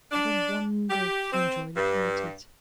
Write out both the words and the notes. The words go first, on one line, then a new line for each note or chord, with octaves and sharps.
I don't wonder you enjoy looking at it.
D4
G4
C4
G2